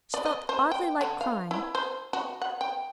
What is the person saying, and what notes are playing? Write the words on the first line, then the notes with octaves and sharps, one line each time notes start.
She felt oddly like crying.
D5
D#5
C5
G5
D3
F5
E4
C5
F#4
F#5
G5